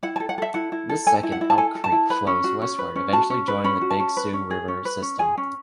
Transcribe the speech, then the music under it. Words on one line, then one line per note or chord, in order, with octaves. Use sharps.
This second Elk Creek flows westward eventually joining the Big Sioux River system.
E4 F#5
A5
A4
F#5
A4 E5
E4 F#5
E4
A4
A4 G#5
E4
F#5
E4
A5
A4 G#5
A4
A5
E4
B4 B5
C#4
F#4
C#4
B4
C#4
F#4 A5
C#4
B4
C#4 B5
F#4
A5
C#4
B4
C#4
G#4
C#4
B4
C#4
G#4 G#5
C#4